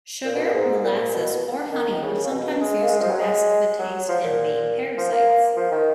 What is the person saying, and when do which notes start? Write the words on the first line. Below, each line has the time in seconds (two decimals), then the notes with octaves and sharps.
Sugar, molasses or honey were sometimes used to mask the taste, and bait parasites.
0.24 A#2
0.35 B2
0.45 A#2
0.54 G#2
0.84 A#2
1.13 B2
1.72 D#3
2.02 C#3
2.24 C#3
2.32 B2
2.61 G#3
2.82 A#3
2.90 G#3
3.01 F3
3.10 F#3
3.20 G#3
3.79 F#3
4.08 F3
4.24 A#2
4.98 F3
5.12 A#3
5.57 F3
5.71 D#3